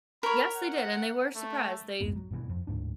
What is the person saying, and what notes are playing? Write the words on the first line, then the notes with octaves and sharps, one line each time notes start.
Yes, they did and they were surprised. They
A#4 C#5 B5
F#5
A3
C2 F2 G#2 B3
F#3
G2 B2 E3
F2
D1 D2 G#2 D4